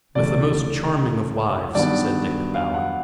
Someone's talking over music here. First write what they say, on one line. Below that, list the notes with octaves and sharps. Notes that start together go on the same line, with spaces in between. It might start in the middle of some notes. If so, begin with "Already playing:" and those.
"With the most charming of wives," said Dick, bowing.
C#2 C3 E3 A3 D5
G2 D#3 F#3 B3 D5
F5
F#5